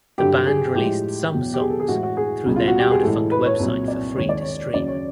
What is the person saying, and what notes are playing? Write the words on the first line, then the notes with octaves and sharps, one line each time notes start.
The band released some songs through their now defunct website for free to stream.
G2 D3 F#3 G4
G#4
A2 F3 G#3 G4
E2 B2 F#3
G4
G#4
A4
G#4
A2 E3 G#3 F#4
F#4
G#4
C#2 B2 G3
F4
F#4
G4
G#4
A2 E3 G#3 A4
B4
C#5
C2 A#2 F#3
D5
D#2 D#3 G#3 C#5
D5
C#5
D#2 C#3 F#3 D5
C#5